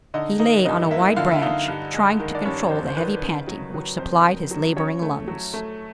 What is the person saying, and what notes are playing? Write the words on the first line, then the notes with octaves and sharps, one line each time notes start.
He lay on a wide branch trying to control the heavy panting which supplied his laboring lungs.
D3 D#4 D#5
A#3 D#4 D#5
G2 D#4 D#5
A#3 E4 E5
D3 F4 F5
E5
D3 D#4 D#5
G2
G#3
D#3
D5
G2 C#4 C#5
G2 C5
C5
D#3 B4
C#3
F#3
F#3
F2 C5
F2
F#3
F#3 C#4 C#5
A3
F#3
A3